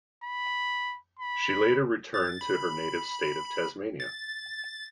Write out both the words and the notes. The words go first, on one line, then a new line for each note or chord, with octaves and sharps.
She later returned to her native state of Tasmania.
B5
B5
A6
B5
A6